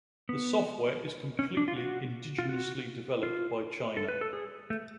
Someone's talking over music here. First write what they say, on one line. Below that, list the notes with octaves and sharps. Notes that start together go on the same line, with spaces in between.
The software is completely indigenously developed by China.
B3
C#4
D4
F4
F#4
F4
F#4
F4
A4
B4
A4
G#4
A3